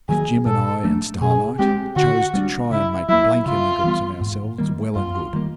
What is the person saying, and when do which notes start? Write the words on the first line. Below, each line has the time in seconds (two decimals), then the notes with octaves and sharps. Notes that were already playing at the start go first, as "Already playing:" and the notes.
If Jim and I and Starlight chose to try and make blank emigrants of ourselves, well and good.
0.09 D#3 F#3 A#3 G#4
0.46 A#2 A4
0.84 F#3 A3 D4
1.21 B2 G#4
1.58 G#3 C4 G4
1.96 D3 F#4
2.34 G3 B3 D4
2.71 C#3 E4
3.09 F#3 A#3 E4
3.46 C#3 F4
3.84 E3 G3 B3
4.21 G#2
4.58 D#3 G3 A#3
4.95 F#2 F4
5.33 D#3 G3 A#3